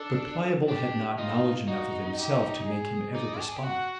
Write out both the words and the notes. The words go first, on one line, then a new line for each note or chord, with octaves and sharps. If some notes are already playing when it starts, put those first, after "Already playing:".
But Pliable had not knowledge enough of himself to make him ever despond.
Already playing: D4 A4
D4 G4
D#4 F4
D#4 F#4
G4
G#4
D#4 D5
A4
G#4
G4
F#4 F#5